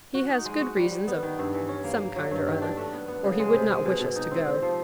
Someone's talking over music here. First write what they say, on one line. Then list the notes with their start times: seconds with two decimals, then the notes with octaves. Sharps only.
He has good reasons of some kind or other, or he would not wish us to go.
0.15 F#4
0.30 D#4
0.45 G#3
0.61 F#4
0.77 G3
0.92 G3
1.08 B3
1.23 D#3
1.39 G2
1.54 E3
1.69 C#4
1.84 A#3
2.00 A#3
2.16 F#3
2.31 G2
2.47 D#3
2.62 D4
2.77 A3
2.93 B3
3.08 B3
3.24 C#3
3.40 G#3
3.54 C3
3.69 G#3
3.85 B2
4.01 B2
4.16 D#4
4.31 C4
4.48 C3
4.62 F3